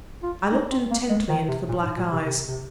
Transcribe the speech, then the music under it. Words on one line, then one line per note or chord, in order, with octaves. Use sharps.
I looked intently into the black eyes.
F4
D#4
C4
A#3
G#3
D#3
C3
A#2
G#2
A#2
C3
C3
C3